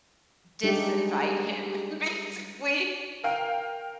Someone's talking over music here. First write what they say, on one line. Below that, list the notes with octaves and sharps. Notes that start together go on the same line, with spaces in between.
disinvite him, basically."
G3 G#3 D4 D#4 G4
A#4 F5 G5